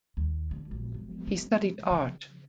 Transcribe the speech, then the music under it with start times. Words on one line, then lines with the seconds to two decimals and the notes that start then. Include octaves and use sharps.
He studied art.
0.17 D#2
0.51 D3
0.71 A#1
0.94 F1
1.27 G#3
1.90 C#3